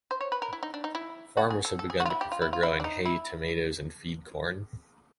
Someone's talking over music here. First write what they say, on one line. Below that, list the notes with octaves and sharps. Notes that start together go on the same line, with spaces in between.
Farmers have begun to prefer growing hay, tomatoes, and feed-corn.
C5
C#5
B4
A#4
E4
D#4
D4
D#4
E4
F#4
G#4
A4
A4
G#4
F#4
F4
E4
G4
F4
E4
F4
E4
D4
D#4
E4